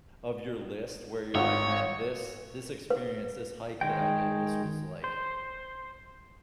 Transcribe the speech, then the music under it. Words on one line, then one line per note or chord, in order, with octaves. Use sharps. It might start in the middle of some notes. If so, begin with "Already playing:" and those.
of your list where you're like, "Man, this this experience, this hike that I did, this was, like
G#1 C#5 F#5
B4
D#3 G#3 G5
C5